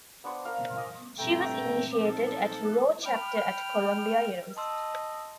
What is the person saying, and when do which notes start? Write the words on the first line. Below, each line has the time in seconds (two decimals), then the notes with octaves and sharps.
She was initiated at Rho Chapter at Columbia University.
0.24 B3 D4 C5 C#5
0.45 A#4 F5
0.74 D5 D#5 F5 G#5
1.19 G2 A#2 A3 C4 G5 A#5
2.05 F3 D#4 A4
3.05 G5 B5 F6
4.57 D#5 A5 C6 E6